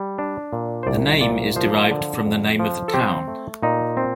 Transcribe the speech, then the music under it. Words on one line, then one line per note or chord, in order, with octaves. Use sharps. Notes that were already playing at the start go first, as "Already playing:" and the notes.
The name is derived from the name of the town.
Already playing: G3
D4
A#2
C5
C2 D5
A#2 D5
F3 C5
D3
F2
F3
A4
C4 G4
A3
A#2 D#4
C4